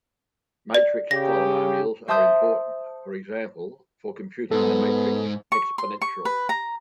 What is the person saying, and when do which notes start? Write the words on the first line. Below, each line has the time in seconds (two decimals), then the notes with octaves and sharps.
Matrix polynomials are important for example for computing the Matrix Exponential.
0.75 D5
1.11 C#3 G4 A#6
2.08 C5 E5 A5 C6 D#6 G6
4.51 G#2 B3 A4
5.52 C#6
5.78 C6
6.02 C#6
6.25 B4
6.49 A#5